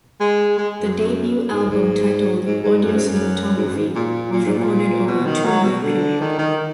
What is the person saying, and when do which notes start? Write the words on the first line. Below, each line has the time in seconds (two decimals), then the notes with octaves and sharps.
The debut album titled 'Audio Cinematography', was recorded over a two-year period.
0.20 G#3
0.58 G#3
0.83 F#2
1.51 G#2
1.70 G#2
2.45 G#2
2.64 G#2
2.84 F#2
2.96 G#2
3.08 F#2
3.57 G#2
3.68 F#2
3.77 G#2
3.96 A#2
4.32 A#2
4.46 G#2
4.58 A#2
5.07 B2
5.26 D#3
5.45 F#3
5.64 B2
5.83 D3
6.21 D#3
6.39 D#3